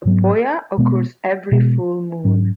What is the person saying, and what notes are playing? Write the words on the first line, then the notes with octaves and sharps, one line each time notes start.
A Poya occurs every full moon.
G#2 F#3 B3
B2 G#3 B3
B2 G#3 B3
G#2 F#3 C#4